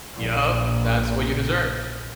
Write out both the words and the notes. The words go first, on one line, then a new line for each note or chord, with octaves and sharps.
Yup. That's what you deserve.
A#1 A#2